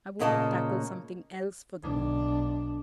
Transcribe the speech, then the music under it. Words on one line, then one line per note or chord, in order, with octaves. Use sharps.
I want to tackle something else for the moment.
A#2 C#3 A#3 D#5 G#5 A5
B1 D4